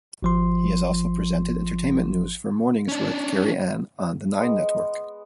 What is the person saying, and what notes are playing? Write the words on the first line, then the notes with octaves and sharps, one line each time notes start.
He has also presented entertainment news for Mornings with Kerri-Anne on the Nine Network.
G#1 F3 C6
C#4 D4
G#3 B3 D#6